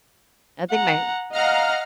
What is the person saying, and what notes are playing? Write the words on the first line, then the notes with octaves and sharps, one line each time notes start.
I think my
F#5 A#5
D#5 F5 F#5 A#5 F6